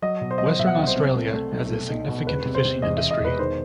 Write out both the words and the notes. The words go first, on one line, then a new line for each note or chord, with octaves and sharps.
Western Australia has a significant fishing industry.
F#3 D#5
B2
C5
F#3 D#5
C5
B2 E5
F#5
C2 E5
C5
C4
A3
A3
B1
A3
D#4
B2
E1 B4
C3
C5
C3
E2 D#5
E5
E1
D#5
E1 B4
D#3 C5